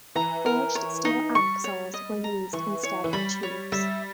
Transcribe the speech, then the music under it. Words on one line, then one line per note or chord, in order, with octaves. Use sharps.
Forged steel axles were used instead of tubes.
E3 A#5
A#4
C#5
D#4
G3 C#6
C#5
D#5
A#5
E3 C#6
C#5
E3
G3 B5
C#5
G3 E5